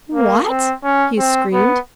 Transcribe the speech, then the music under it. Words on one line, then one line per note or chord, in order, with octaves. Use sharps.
"What?" he screamed.
A#3
C4
C#4
C4
B3